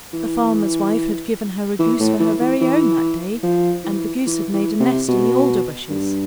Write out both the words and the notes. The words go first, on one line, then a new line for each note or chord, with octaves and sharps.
The farmer's wife had given her a goose for her very own that day, and the goose had made a nest in the alder bushes.
E3
E3
A2
E3
E3
E3
F3
E3
E3
E3
C3
B2
G2